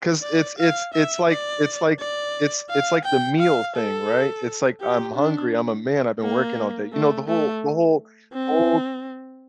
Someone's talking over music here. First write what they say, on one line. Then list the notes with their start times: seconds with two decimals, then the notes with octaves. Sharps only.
'Cause it's it's it's like it's like it's it's like the meal thing, right? It's like, "I'm hungry. I'm a man. I've been working all day." You know the whole the whole the whole
0.22 D5
0.58 F5
0.93 E5
1.29 D5
1.99 D5
2.69 F5
3.04 G5
3.40 F5
3.76 A4
4.80 G4
5.16 D4
6.22 A#3
6.93 A3
7.28 A3
8.33 C4